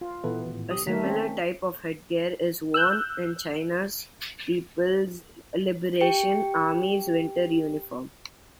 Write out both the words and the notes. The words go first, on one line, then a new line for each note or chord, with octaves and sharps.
A similar type of headgear is worn in China's People's Liberation Army's winter uniform.
F4
A#2 E3 B3 A4 B4
G#1 A2
B1 G4 D#6
D#3 A3 A#4 B6
C4 C#4
E6 F#6 G6
G4 G5 C#7